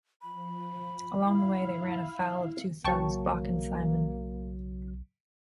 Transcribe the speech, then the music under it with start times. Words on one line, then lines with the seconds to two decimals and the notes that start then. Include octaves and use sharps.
Along the way, they run afoul of two thugs, Bock and Simon.
0.22 F3 B5
1.06 E4 F5
2.84 B1 C#3 F#3 A#3 G5 A5 C#6